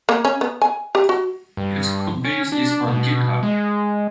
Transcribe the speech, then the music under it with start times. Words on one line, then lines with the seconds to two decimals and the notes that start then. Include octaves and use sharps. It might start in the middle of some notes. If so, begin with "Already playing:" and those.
Its codebase is on GitHub.
0.09 A#3
0.25 C#4
0.41 B3
0.62 G#5
0.95 G4
1.09 F#4
1.57 G2
2.25 C#4
2.52 D4
2.88 B2
3.43 G#3